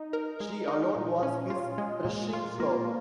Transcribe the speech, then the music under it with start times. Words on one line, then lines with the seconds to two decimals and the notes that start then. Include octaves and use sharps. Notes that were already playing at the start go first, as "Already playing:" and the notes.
She alone was his threshing-floor.
Already playing: D#4
0.13 A#4
0.40 G#3
0.68 D#4
0.96 A#2
1.23 C#4
1.50 F4
1.78 G#3
2.05 A#2
2.33 F4
2.60 A#3